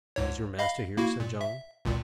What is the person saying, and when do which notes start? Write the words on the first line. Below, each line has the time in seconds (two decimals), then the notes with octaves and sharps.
'Is your master here?' said John.
0.16 C#2 G#2 C#5
0.59 D#5 F5 B5
0.97 A#3 E4 F#4
1.20 A#2
1.41 E5
1.85 G#1 C#2 A#2